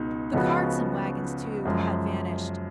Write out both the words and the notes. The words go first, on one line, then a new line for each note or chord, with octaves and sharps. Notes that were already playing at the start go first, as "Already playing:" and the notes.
The carts and wagons, too, had vanished.
Already playing: C#2 B2 D#4
C#2 C#3 F3 B3 F#4
F#2 F3 G#3